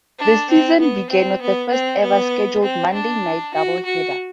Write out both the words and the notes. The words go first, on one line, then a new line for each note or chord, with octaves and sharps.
The season began with the first-ever scheduled Monday night doubleheader.
D4
C4
B3
C4
B3
C4
B3
C4
D4
F#4
F#4